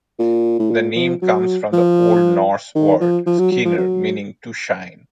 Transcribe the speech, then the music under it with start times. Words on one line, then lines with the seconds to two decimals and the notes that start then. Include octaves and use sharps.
The name comes from the Old Norse word "skinr", meaning "to shine".
0.19 A#2
0.59 A2
0.70 A#2
0.96 F3
1.22 F#3
1.73 F3
2.75 D#3
3.01 F3
3.26 F3
3.39 F#3
3.52 F#3
3.65 F3
3.78 F#3